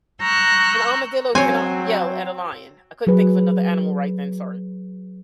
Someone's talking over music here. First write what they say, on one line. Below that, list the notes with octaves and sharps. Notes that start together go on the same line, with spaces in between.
an armadillo cannot yell at a lion. I couldn't think of another animal right then, sorry,
A#5 C#6 E6 F#6 G6
F#3 C4 C#5 G#5
F#3 G#4 B4